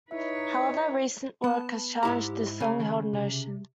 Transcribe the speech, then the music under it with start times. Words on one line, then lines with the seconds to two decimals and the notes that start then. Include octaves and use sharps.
However, recent work has challenged this long held notion.
0.11 D#4 E4 B4 C#5 E5
1.44 B3 A5
2.03 G#2 E4 G4 A#5
2.60 C#3 A3 G#5
2.80 D#3
3.13 C3